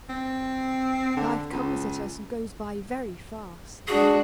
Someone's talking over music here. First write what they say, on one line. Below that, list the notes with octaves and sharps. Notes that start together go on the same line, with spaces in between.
Life comes at us and goes by very fast.
C4
D3
C#2
G#3 D4 F#4 G#4